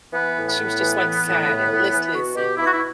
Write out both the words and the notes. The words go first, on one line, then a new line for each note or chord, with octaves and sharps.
she was just, like, sad and listless, and,
E3 B3
A2
B3
A2
E3
E3
A2
A2
A2
E3
B2 F#4
B2 G4
B2 E4
F#4
E4